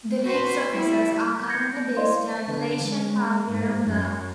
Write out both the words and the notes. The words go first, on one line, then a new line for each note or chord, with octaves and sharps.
The league's offices are currently based at Leyshon Park Yeronga.
F#4 B4 C5
G3 E4
G6 G#6 A#6 C#7
E4 C5 D5 D#5 F5 C6
D3
G#3
G#2
F#2